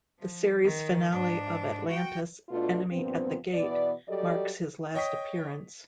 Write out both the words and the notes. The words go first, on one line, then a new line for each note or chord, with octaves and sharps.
The series finale of "Atlantis", "Enemy at the Gate", marks his last appearance.
F3
D#3
G#2 D4
F#4 G5
B2 A3 D4 F4
G2 A#2 F3 B3 C4
B2 E3 B3 D5
F#3 G3 G4 A4 D5 D#5
C#5 D#5 G5 C#6 D#6 B6